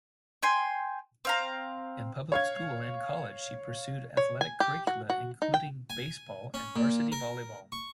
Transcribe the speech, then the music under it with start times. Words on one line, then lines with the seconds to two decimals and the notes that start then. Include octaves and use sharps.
In public school and college she pursued athletic curricula including baseball and varsity volleyball.
0.43 G5 G#5 C6
1.25 C4 F5 A#5
2.32 C#5 F5 G#6
4.17 C#5
4.41 G#5
4.60 G4
4.87 F#4
5.10 F#4
5.42 D#4
5.54 G5
5.90 G#5
6.54 C#4
6.76 A#2
7.12 A#4
7.72 C#6